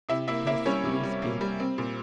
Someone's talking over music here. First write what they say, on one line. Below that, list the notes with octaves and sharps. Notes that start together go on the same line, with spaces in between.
Thus did he speak.
C3 E4 E5
A#3 E4 E5
A#3 E4 E5
G3 C#4 C#5
C3
G3
A#3
G3
C4
A#2